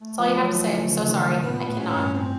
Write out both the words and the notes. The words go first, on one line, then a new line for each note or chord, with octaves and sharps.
That's all you have to say, "So sorry, I cannot."
A3
F3
F#3
E3
D3
C#3
D#3
A#2 B3
A2
C#4
G2
C4